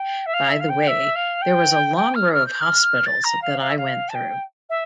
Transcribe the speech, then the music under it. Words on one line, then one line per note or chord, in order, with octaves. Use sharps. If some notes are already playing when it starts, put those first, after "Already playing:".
By the way, there was a long row of hospitals that I went through.
Already playing: G5
E5
F5
E5
F5
G5
E5
F5
G5
G5
F6
F6
G6
F6
A6
A#5
F5
F5
E5
F5
A5
G5
E5